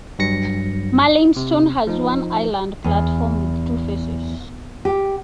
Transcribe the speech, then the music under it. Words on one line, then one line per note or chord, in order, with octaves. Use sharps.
Merlynston has one island platform with two faces.
G2 F#3 A#6 C#7
C3
F3 D#4
E2
G4